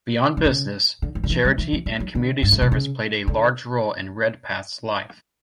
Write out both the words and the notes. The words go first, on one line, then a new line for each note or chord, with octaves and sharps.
Beyond business, charity and community service played a large role in Redpath's life.
D3
C#3
D3
E3
D3
E3
G3
E3
E3
G3
F#3
D3
G2
A2
B2
C#3
D3